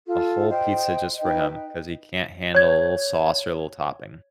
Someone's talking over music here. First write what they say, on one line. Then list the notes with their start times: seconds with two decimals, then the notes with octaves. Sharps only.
A whole pizza just for him, 'cause he can't handle a little sauce or a little topping.
0.07 F4 A4
0.50 C5 D#5 G5
1.20 D#4 B4 D#5 G5
2.55 C#5 G#6